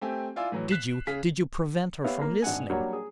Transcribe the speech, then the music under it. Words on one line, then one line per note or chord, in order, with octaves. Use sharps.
Did you--did you prevent her from listening?'
A3 C4 G4 G#5
E4 F4 D5 G#5 E6
A2 E3 F#3
F#6 B6 C7 E7 F#7
C#3 G#4 F6 B6
B3 G4 B4 C#5 E5 F5
A#3
G#1 D4 F#5 G#5
F#3 G3 A#3 D4 F#4 C#5
G#4